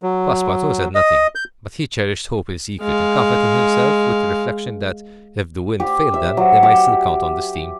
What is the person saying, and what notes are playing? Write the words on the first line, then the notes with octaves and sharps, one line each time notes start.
Passepartout said nothing; but he cherished hope in secret, and comforted himself with the reflection that, if the wind failed them, they might still count on the steam.
F#3
D#5
G6
G#3 F5
G4
E5
F#3
G4